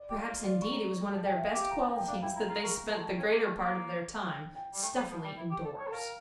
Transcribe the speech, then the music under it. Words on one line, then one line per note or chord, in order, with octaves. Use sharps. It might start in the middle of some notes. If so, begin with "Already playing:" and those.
Perhaps, indeed, it was one of their best qualities that they spent the greater part of their time stuffily indoors.
Already playing: D5
G4
F4
D5
C#6
A#5
A5
G5
E5
F5
G4
A#5
A5
G5
D4 F5
E4 G5
E4 A#5
F4 A#5
A#4 C#6
A4
C#4
A#3
A3
A#3
G5
G5
G3
A3 G5
G3
F3
G3
E4
G4
A4
C#5
A4
A#4 F5